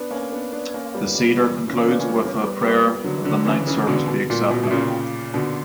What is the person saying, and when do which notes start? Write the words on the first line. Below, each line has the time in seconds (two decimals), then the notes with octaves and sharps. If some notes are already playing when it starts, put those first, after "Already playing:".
The Seder concludes with a prayer that the night's service be accepted.
Already playing: B3 D4
0.11 A#3 C#4
0.32 B3 D4
0.52 B3 D4
0.74 A#3 C#4
0.95 G3 B3
1.15 G3 B3
1.36 E3 G3
1.68 C#3 E3
1.78 A#3 C#4
1.89 B3 D4
1.99 A#3 C#4
2.09 G3 B3
2.20 A#3 C#4
2.40 G3 B3
2.61 G3 B3
3.04 D3 F#3
3.24 D3 F#3
3.45 C#3 E3
3.67 C#3 E3
3.87 B2 D3
4.08 B2
4.30 A#2
4.51 B2
4.64 B2
4.71 A#2 C#3
5.34 B2 D3